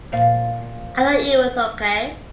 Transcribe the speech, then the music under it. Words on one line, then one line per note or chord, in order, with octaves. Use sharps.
I thought it was okay.
A#2 F3 F5